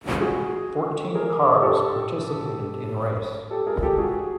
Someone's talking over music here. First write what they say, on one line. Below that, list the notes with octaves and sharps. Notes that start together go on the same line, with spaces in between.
Fourteen cars participated in race.
F#4 G#4
G#4 A#4
G4 A4
G4 A4
G#4 A#4
G4 A4
F#4 G#4